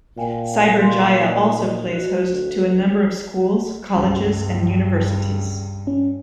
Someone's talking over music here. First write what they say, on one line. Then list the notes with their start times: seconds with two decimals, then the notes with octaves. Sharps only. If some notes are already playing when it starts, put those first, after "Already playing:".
Cyberjaya also plays host to a number of schools, colleges and Universities.
0.18 A#2 F5 G5 G#5
0.81 F5 C6
1.20 D#4 D5 D#5
1.93 F#4
2.30 D2
3.96 C#2 G2
5.87 C#4